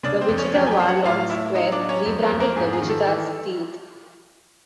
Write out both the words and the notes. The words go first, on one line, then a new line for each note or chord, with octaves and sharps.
The Wichita Warlords were rebranded the Wichita Stealth.
C#3 D4 D5
C4 C5
F2
C#4 C#5
F#3 G4 G5
G#5
G4 G5
F#3 F5
F#4 F#5
A2 F4 F5
A2 E4 E5
F#3 D#4 D#5
D4 D5
F#3
C#4 C#5
F2
A#3 A#4
F2
A#3 A#4
G#2 G#4
G#4
D#3
A4
E3 A4